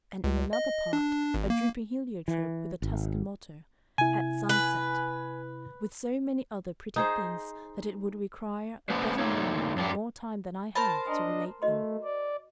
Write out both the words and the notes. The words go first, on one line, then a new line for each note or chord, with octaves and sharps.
And in another part a drooping heliotrope with a Tuscan motto: AT SUNSET--with so many other pretty things that it would require a better memory and more time than I have to relate them.
C#2
D#5
D4
G#1
A#3
E3
G#1
C3 E4 G#5
B4
D#4 G#4 C5
A#3 C#4 D4 B4 C5
D3 A3 A#3 D4 D#4 C#5
F#2 D4 G4
A#4 C5 A5 B5
D4 D#5 G#5 A#5 C6
A3 F#4 D#5 C6
D5